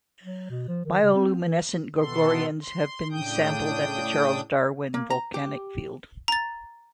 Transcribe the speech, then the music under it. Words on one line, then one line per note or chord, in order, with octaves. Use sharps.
Bioluminescent gorgonians have been sampled at the Charles Darwin volcanic field.
F#3
B2
F3
D#3
C#3
C4
E3
B2 D#3 B3 A4 C6
C6
A2 C#3 D4 G5 D#6 G6
A#3
A#5
G4
A#5 A6